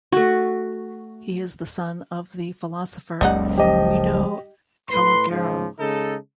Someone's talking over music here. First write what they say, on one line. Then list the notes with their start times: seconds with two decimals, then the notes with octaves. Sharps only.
He is the son of the philosopher Guido Calogero.
0.12 A3 F#4
3.21 F#1 C#2 G3 D#4 F#5
3.58 F3 G4 D#5
4.89 A2 B4 C6
5.29 G#2 C#3 F3
5.78 C#3 G#3 D#4 A4